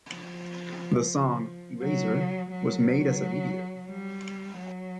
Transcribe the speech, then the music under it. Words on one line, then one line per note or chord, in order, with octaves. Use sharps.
The song, "Eraser" was made as a video.
F3
F#3
F#3
G3
F#3